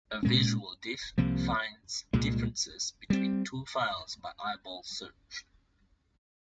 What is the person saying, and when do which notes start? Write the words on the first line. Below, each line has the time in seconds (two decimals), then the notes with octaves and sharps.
A visual diff finds differences between two files by eyeball search.
0.23 A#2 G#3 C#4
1.18 C2 C3 F3 A#3
2.13 C2 A#2 G#3
3.10 G3 C4